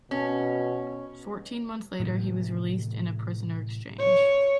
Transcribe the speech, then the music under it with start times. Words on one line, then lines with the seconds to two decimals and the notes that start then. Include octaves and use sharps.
Fourteen months later he was released in a prisoner exchange.
0.11 B2 C#4
1.99 A2 C3 E3
3.99 C#5